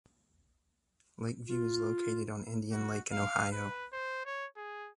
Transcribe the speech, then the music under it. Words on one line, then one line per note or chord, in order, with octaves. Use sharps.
Lakeview is located on Indian Lake in Ohio.
F4
F#4
F5
B4
C5
C#5
G#4